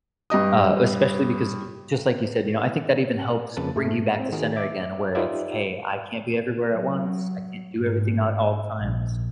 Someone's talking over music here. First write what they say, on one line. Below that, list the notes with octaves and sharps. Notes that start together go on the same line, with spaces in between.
Uh, especially because just like you said, you know, I think that even helps bring you back to center again, where it's, "Hey, I can't be everywhere at once, I can't do everything at all the times."
G2 G4 D#5 D#6
F2 C#3 A#3 B4 A5 A6
G#2 G#3 A3
C4
D#3 F#4 G#4 A#4
E5 D6
D#4 F4 G4 B4 D5 E5
F#3
G#2
A#1